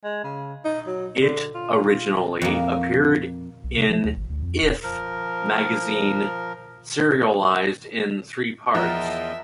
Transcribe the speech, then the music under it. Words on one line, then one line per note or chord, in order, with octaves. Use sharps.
It originally appeared in "If" magazine, serialized in three parts.
G#3
C#3
D#4
F#3
D3
F4
F2 A#3
B1
C3
F3
D2
G#1
D2
F2
D1
F3 A#4
E2 F3 A#4 D#5 E5 F#5 G5